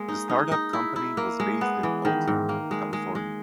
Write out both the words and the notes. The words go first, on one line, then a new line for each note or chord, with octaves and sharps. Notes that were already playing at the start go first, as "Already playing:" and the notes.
The start-up company was based in Oakland, California.
Already playing: G#3 A#3
D#4
D#4
D#4
E4
E4
A#3
G#3
B3
E3
D#3
G#2
A#3
G#3
G#3
G#3